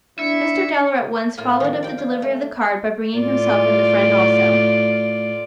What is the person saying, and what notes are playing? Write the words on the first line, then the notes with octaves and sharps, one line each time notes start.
Mr. Dowler at once followed up the delivery of the card, by bringing himself and the friend also.
D4 E4 E5 C#7
A2 A#3 F4
D#3 F3
D5 G5
F4
A3
A2 F4 D5